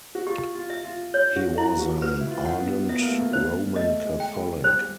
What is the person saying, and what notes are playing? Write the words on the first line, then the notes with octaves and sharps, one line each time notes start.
He was an ardent Roman Catholic.
F#4
F4 G4
F4
E5
F4
C#5
F#4
E4
F#4
F#4 B4
E4
F4
F#5
B3
B3 E5
A#3
A3
A#3
A#3 C5
A3 D#5
G#3
G5
G#3
G3 C5
G3